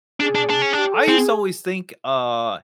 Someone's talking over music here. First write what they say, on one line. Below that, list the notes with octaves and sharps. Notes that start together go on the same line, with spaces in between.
Mhm. I used to always think, uh,
D4 G#4
D4
D4
C#4
D4
G4
A4
C4 G#4